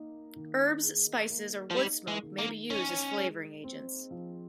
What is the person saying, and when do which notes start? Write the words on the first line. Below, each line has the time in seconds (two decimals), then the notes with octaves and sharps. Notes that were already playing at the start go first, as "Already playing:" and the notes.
Herbs, spices, or wood smoke may be used as flavoring agents.
Already playing: A#3 D#4
0.36 D#3
0.83 G#4
1.29 A#3
1.71 F3
1.76 G3 D#4
2.08 G#3
2.23 D#3
2.39 A#3
2.70 C#4 D#4
3.17 G#3
3.64 C4
4.11 F3